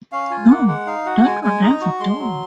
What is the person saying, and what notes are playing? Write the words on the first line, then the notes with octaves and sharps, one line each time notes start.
No, that would never do.
C#4 F5
F4 G#5
A#3 F#5
G#3 F#5
D#4 F5
F#4 F#5
G#3 G#5
G#3 G#5
D#4 A#5
F#4 C#6
G#3 C6
F#3